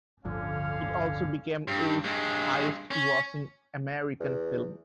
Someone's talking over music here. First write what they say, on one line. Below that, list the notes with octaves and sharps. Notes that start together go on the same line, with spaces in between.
It also became Woo's highest-grossing American film.
D1 G1 D3 F3 C#4 F5
G2
G2 G#3
C#4
E2